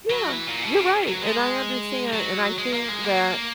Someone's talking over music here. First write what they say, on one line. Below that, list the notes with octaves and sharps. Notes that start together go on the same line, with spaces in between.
Yeah, you're right, and I understand, and I think that
F#3
E3
A#2
B2
C#3
F#3
G#3
F#3
G#3
A#3
G#3
A#3